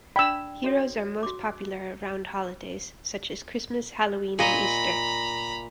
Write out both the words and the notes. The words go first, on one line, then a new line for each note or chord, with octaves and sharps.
Heroes are most popular around holidays, such as Christmas, Halloween and Easter.
D4 D5 G5 B5 E6
F#4 A4 C#5
F#4 D6
A#2 D#5 A#5 B5